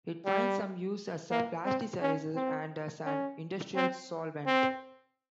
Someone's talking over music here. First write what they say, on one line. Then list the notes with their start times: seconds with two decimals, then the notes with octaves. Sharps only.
It finds some use as a plasticizer and as an industrial solvent.
0.26 G3
1.31 A#3
1.66 C4
2.01 C#4
2.36 C4
3.06 C#4
3.76 C4
4.46 C4